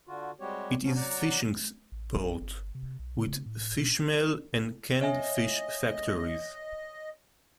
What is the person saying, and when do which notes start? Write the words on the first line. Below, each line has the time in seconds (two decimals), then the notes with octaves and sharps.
It is a fishing port, with fishmeal and canned fish factories.
0.07 D3 F4 F#4
0.40 G3 G#3 C4 F#4 G4 C#5
0.83 G2 C#3 F3 F#3 B3 C#4
0.96 F#3 D5 F#5 A#5
1.92 A1
2.40 G1
2.75 C3
2.99 B1
3.19 C#3
3.46 A2
3.76 B2
5.01 C#5 D#5 E5 G#5